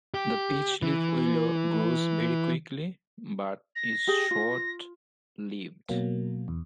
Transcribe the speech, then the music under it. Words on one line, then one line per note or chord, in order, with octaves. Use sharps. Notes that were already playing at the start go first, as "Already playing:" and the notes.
The peachleaf willow grows very quickly, but is short-lived.
G4
E3
A#6
G4 G#4 G5
F4
B2 F#3 A#3
E2